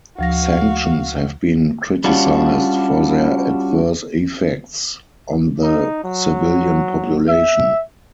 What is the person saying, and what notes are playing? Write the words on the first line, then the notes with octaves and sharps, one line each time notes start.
Sanctions have been criticised for their adverse effects on the civilian population.
D2 F3 F#4 F5 A#6
G3 C#4 D4 F4 F#4
D#4
F#3
E5